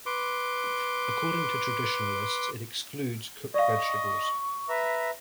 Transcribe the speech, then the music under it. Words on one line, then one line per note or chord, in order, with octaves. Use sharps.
According to traditionalists, it excludes cooked vegetables.
B4 C6 D6
D5 D#5 F5 C#6
B4 E5 A#5